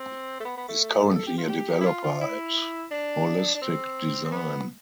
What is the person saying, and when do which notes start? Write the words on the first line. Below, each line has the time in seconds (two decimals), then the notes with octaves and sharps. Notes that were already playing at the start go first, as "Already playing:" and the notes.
He is currently a developer at Holistic Design.
Already playing: C4
0.40 A3
0.45 B3
0.57 B3
0.68 A3
1.15 A4
1.27 G4
1.38 F4
1.49 G4
1.81 E4
1.86 F4
2.03 F4
2.21 E4
2.91 D4
3.55 D4
3.62 C4
4.24 C4
4.32 B3